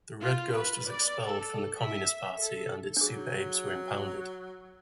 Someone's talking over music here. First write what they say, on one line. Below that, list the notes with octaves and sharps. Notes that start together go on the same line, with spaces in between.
The Red Ghost was expelled from the Communist Party and his Super-Apes were impounded.
F4
B4
D5
A4
E5
A4
F#3 D4 G#4